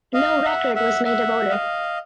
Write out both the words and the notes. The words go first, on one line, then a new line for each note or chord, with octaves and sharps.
No record was made of odour.
D#5 F5
E5 F#5
E5 F#5
E5 F#5
D#5 F5